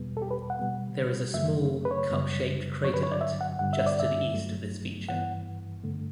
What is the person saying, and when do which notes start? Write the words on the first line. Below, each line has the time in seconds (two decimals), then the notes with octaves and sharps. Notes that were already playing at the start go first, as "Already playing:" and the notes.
There is a small, cup-shaped craterlet just to the east of this feature.
Already playing: E2 B2 G3 B3
0.17 A4
0.22 G4
0.31 B4
0.50 F#5
0.59 B2 G3 B3
1.34 F#2 C#3 F#3 A3 E5
1.85 B4
1.91 C#5
2.09 F#2 C#3 G3 B3
2.84 G2 D3 F#3 C#5
2.94 B4
3.03 C#5
3.12 D5
3.21 E5
3.41 F#5
3.59 G2 D3 G3 F#5
3.73 E5
3.86 D5
4.00 E5
4.33 G2 F#3 A3
5.09 G2 E3 B3 F#5
5.84 G2 D3 A3